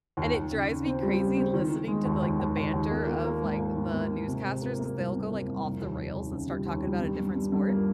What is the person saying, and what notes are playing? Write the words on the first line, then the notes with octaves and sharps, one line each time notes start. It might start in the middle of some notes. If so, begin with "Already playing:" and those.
and it drives me crazy listening to the, like the banter of, like, the newscasters 'cause they'll go like off the rails and start talking about a different sport.
D#2
D#2
C#3
C#3
C4
G3
C#3
C4
D#3
D#3
G#3
D#2
D#2
D#2
D#2
D#2
A#3
A#3
A#3
G#2
A#3
G#2
A#3
G#2
C3
C3
A#3
A#3
C2
C3
A#3
C2
F1
D#2
D#2
D#2
C#3
G3
D#2
G3
G2
G2
G2
G2
A#3